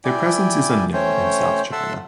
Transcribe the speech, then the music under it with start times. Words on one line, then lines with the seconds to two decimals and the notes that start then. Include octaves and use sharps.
Their presence is unknown in South China.
0.05 E4 D5 G5 G#5
0.94 A3 C#4 C5 C#5 G5
1.72 A4 E5 F#5 A5 C6 E6